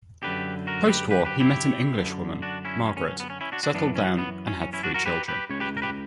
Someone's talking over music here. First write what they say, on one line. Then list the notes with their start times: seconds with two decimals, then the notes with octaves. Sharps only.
Post-war he met an Englishwoman, Margaret, settled down and had three children.
0.23 F#2 D3 G4 B4
0.67 F#4 A#4
0.89 G4 B4
1.11 G4 B4
1.25 G4 B4
1.40 E4 G4
1.99 F#2 D3
2.42 D4 F#4
2.65 C#4 E4
2.86 C#4
2.97 C#4
3.08 C#4
3.20 B3
3.30 C#4
3.41 C#4 E4
3.52 D4 F#4
3.63 D4 F#4
3.74 F#2 E3 B3 D4
3.96 C#4
4.18 B3
4.47 C#4
4.61 C#4
4.73 C#4 E4
4.83 D4 F#4
4.94 F#4 A#4
5.06 G4 B4
5.28 G4 B4
5.50 C#2 C#3 C#5
5.60 G4 B4
5.77 A#4
5.82 G4 B4